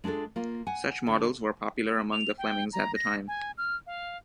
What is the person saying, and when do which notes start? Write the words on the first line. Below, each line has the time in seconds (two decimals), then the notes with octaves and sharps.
Such models were popular among the Flemings at the time.
0.04 G#3 D4 F4 G#4 A4
0.36 A#3 F4
0.67 F#5 G#5
1.07 D3
2.12 F7
2.38 G5
2.73 A#5
2.95 A#6
3.28 G#5
3.58 F6
3.87 F5